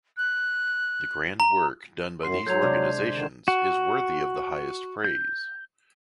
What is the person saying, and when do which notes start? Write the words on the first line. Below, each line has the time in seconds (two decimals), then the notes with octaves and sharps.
The grand work done by these organizations is worthy of the highest praise.
0.17 F#6
1.40 A#5
2.23 F#2 C6 C7
2.47 F#3 A4 A#5 G6 G#6 F7
2.62 C3 G#3 D4
3.15 D3 D#3 E7
3.48 F#4
5.04 G6